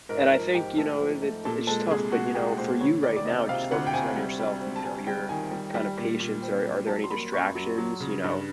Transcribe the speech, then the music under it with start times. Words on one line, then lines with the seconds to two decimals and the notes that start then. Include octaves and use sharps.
And I think, you know, it it it's tough, but you know, for you right now, just focusing on yourself and, you know, your kind of patience, are are there any distractions, you know,
0.09 G#2 A#4
0.32 F3 A#4
0.54 G#2 G4
0.77 A3 A4
1.00 F3
1.22 A3
1.45 A#2 A4
1.67 G#3 A4
1.90 C2 G#4
2.12 A#2 F#4
2.35 G#3 G4
2.58 A#2 C5
2.81 D2 C#5
3.03 D#3 D5
3.16 D5
3.26 C3 D#5
3.48 C3 F5
3.71 D2 F#5
3.87 G5
3.93 C3 G#5
4.16 G3
4.39 G3
4.61 C4
4.76 A5
4.84 G3 G#5
5.07 G3 G5
5.29 D#3 G#5
5.51 G3
5.74 G3
5.97 A#2
6.20 A#2
6.42 C4
6.65 G3
6.87 F#3 A5
7.04 C6
7.10 A#3 B5
7.33 F#2 C#6
7.55 F#3
7.78 F#3
8.00 C#3
8.24 G2